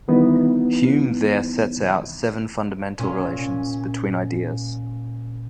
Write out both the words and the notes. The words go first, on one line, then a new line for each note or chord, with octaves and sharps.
Hume there sets out seven fundamental relations between ideas.
D#3 E3 G3 B3 D#4 E4
A#2 C#4